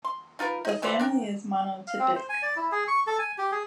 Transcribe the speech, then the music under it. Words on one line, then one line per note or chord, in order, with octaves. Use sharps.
The family is monotypic.
C6
D#4 F4 A#4 B4
D#4 D#5
E3 F#3 C5 D5
D4 A#4 G5
F5
C4
C5
G#5
D5
E4
G#4
C#6
A4
G#5
G4
G#4